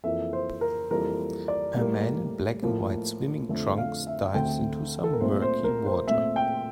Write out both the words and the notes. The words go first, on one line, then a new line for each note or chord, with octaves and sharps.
A man in black and white swimming trunks dives into some murky water.
F2 E3 A#3 E5
C5
A#4
F2 E3 G3 A#3 A#4
D5
A2 G3 A#3
A2 F3 A#3
F2 D3 A3 C4
F5
E5
D2 D3 A3 C4 G5
A4
A#4
A#2 A3 C4 C5
C5
A#4
C5
A#2 A3 C4 E5
G5